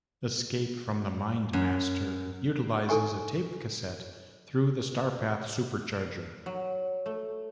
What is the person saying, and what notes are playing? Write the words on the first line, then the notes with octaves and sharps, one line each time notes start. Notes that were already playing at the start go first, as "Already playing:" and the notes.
"Escape from the MindMaster" utilizes a tape cassette through the Starpath Supercharger.
F#2
D#4 A4 G#5 C#6
F#3
A3